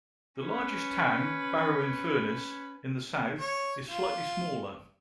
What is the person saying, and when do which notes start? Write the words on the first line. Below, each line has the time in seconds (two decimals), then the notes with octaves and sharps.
The largest town, Barrow-in-Furness, in the south, is slightly smaller.
0.40 C#4 B4
3.39 C#5
3.90 F4